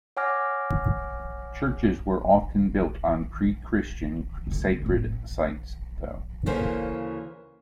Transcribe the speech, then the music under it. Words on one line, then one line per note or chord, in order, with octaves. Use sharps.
Churches were often built on pre-Christian sacred sites, though.
C#5 F#5 G#5 D6 F6 A#6
D3 A3
F1 A2
D2 C#3 E3 A#3 C5